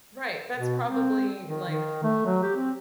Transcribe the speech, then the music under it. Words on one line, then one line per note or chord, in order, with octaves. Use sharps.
Right, that's probably, like,
B2
C4
D#3
D#3
A3
F#3
G4
C4